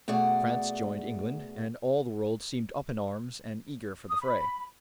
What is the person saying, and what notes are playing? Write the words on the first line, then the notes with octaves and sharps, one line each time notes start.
France joined England, and all the world seemed up in arms and eager for the fray.
B2 A3 G#4 D5 F#5
D#6
B5